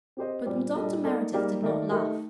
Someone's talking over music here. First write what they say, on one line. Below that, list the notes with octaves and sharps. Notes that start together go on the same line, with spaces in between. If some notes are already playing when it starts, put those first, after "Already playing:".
But Dr. Meredith did not laugh.
C4 G4 C5 D#5
A#2 G3 C4 G4
A#2 G3 D4 A4 D#5
A#3 D#4 A4 D5
G3 A#3 D#4 G4 D5
D#3 A3 D#4 A#4 D5
A3 D#4 G4 A#4